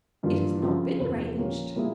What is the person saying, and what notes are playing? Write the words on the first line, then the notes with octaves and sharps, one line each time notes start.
"It has not been arranged."
G2 E3 G3 A#3 F4
C#3 F3 C4
E2 C3 F3
A#2 F3 A#3 C#4 G4
A#2 G3 A#3 E4 G#4